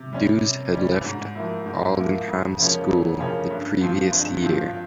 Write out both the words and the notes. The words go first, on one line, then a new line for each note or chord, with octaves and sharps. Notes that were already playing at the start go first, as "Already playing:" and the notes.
Dewes had left Aldenham School the previous year.
Already playing: C3
G3 C#4
C3
G3 C#4
G#2
F3 A#3 E4
G#2
F3 A#3 E4
F2
C#3 F3 A#3 C#4
F2
C#3 F3 A#3 C#4
G2
F3 C4 F4
G2
F3 C4 F4